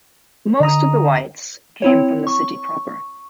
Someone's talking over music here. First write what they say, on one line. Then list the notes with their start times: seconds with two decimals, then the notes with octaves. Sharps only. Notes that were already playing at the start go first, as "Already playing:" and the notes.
Most of the Whites came from the city proper.
0.60 D3 D#5 A#5 D#6
1.82 C4 E4 C#5
2.27 C#6